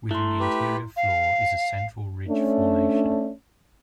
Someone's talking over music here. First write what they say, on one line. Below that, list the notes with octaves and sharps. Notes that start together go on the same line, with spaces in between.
Within the interior floor is a central ridge formation.
A3 E4 C6
G4 B4
F5
A3 C#4 D4